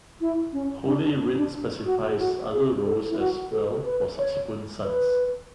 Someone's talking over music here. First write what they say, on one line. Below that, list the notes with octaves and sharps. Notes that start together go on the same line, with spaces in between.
Holy Writ specifies other roles as well for subsequent sons.
E4
C#4
D4
D4
C#4
D4
F#4
G#4
F#4
G#4
A4
E4
F#4
A4
B4
C#5
B4